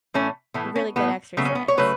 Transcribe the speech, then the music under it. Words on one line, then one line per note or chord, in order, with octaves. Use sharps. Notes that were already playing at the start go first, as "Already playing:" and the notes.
Really good exercise.
A2 E3 A3 C#4
A2 E3 A3 B3
C#4
A2 E3 A3 B3
C#3 F#3 A3 B3
C#4
B3
C#5
C#3 F#3 A3 B4